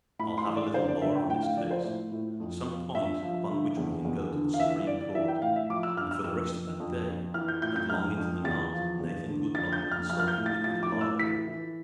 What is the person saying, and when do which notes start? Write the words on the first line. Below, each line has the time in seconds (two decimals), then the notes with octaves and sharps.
"I'll have a little law on this case,--some point upon which we can go to the Supreme Court," and for the rest of that day and long into the night Nathan Goodbody consulted with his library.
0.19 A2 B5
0.38 C6
0.46 E3
0.56 D5
0.74 D3 C5
0.88 D5
1.02 D3 E5
1.16 G5
1.29 A2 G5
1.43 F5
1.57 F3 D5
1.71 C5
1.84 A2
2.12 A2
2.40 F2
2.67 F3
2.94 G2 E5
3.23 F3
3.49 D3
3.77 E2
4.05 E2
4.32 D3
4.54 F5
4.59 E3 E5
4.87 G2 D5
5.01 D5
5.14 E3 E5
5.28 G5
5.42 A2 F5
5.56 E5
5.69 F3 D6
5.83 E6
5.97 G2 F6
6.11 E6
6.24 F2 E6
6.52 F2
6.80 F2
7.07 F2
7.34 E3 F6
7.48 G6
7.62 A2 G6
7.76 G6
7.89 F2 F6
8.17 F2
8.44 E2 A6
8.72 F3
9.00 E2
9.27 D3
9.55 F2 A6
9.73 G6
9.82 F2
9.91 F6
10.09 F3 F6
10.20 F6
10.28 G6
10.37 A2
10.46 A6
10.64 F3 A6
10.83 D6
10.92 A2
11.01 E6
11.19 E3 B6
11.48 E3